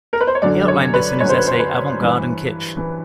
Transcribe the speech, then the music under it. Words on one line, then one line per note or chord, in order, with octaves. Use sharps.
He outlined this in his essay "Avant-Garde and Kitsch".
A#4
B4
C5
C#5
F#2 D3 F#3 D5
C#5
B4
F#2 D3 F#3 C#5
C5
B4
C5
B4
G2 E3
E3